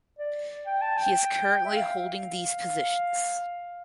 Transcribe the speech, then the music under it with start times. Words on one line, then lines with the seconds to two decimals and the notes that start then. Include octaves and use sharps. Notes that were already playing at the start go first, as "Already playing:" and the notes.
He is currently holding these positions.
0.19 D5
0.66 G5
0.82 A5
0.97 G5
1.65 E5
1.75 F5